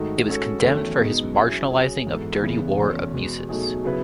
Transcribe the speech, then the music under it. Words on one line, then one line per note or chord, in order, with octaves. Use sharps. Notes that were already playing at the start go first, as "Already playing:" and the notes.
It was condemned for his marginalizing of Dirty War abuses.
Already playing: G#2 D#3 A3 D#4 F#4
G#3 C#4 F#4 A4 C#5
E2 D#3 F#3 A3 C#4
B2 G#3 B3 D#4 G#4
F#3 C#4 E4 G#4 C#5
F#3 C#4 G#4
G#2 E3 B3 F#4 A4
E2 C#3 E3 B3
E2 B2 A3 C#4
E2 B2 G#3 B3
B2 F#3 A3 D#4 G#4
C#3 F#3 B3 E4 B4